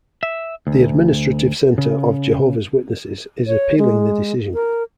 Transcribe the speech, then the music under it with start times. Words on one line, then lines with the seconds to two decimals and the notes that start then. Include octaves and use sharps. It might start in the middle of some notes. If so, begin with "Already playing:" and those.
The Administrative Center of Jehovah's Witnesses is appealing the decision.
0.23 E5
0.67 D2
1.78 C#3
3.47 C#5
3.78 G#3
4.54 A#4